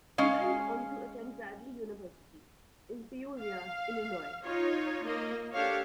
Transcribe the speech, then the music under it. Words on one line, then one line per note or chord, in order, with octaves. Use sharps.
He went on to attend Bradley University, in Peoria, Illinois.
G#3 C#4 F5
F5
D#4 F4 C#5
A#3 D#5
D4 G4 A4 C#5 F5